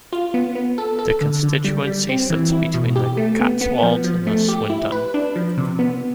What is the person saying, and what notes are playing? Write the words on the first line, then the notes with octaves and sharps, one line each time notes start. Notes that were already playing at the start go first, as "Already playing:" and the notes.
The constituency sits between the Cotswolds and Swindon.
F4
B3
B3
A4
A4
D3
D3
G3
G3
C4
E3
E4
B2
G4
A3
B3
B3
F3
F3
A3
G4
E4
B4
D4
F3
C3
B3